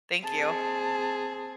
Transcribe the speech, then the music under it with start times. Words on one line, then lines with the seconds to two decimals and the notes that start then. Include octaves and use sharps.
Thank you.
0.23 C4 G#4 A5